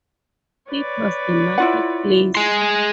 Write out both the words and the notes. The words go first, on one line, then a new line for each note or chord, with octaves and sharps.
It was a market place.
B4 C#5 D5
E4 F4 F#5
G#4 C6